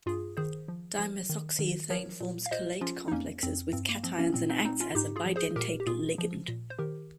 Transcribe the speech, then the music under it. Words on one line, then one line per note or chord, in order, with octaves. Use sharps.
Dimethoxyethane forms chelate complexes with cations and acts as a bidentate ligand.
G2 F4 G#4
D#3 G#4 C5
F3
F3
D#3
D#3
F3 A#4 C#5
A#2
F5
A#2 C5 D#5
F3 C#4 F4
D#4
F2 A#3 C#4
F2 C4
G2 C4
A#3
F3 C4
A#3 C#4
A#2 C4
C4 D#4
A#2 C4 D#4
C#4 F4
G#2 D#4 G4
F4 G#4
F3
G#4 C5
A#2 G4 A#4
G4
A#2 F4 G#4
F3
A#2
C5
D#3 G4 A#4